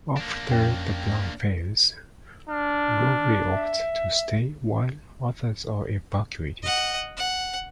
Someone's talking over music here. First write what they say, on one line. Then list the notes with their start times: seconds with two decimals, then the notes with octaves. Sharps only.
After the plan fails, Lowery opts to stay while others are evacuated.
0.17 A#3 D4
0.49 F2 C#4 G5
2.49 D4 F6
3.51 E5
6.63 D#5 F#5
7.17 F#5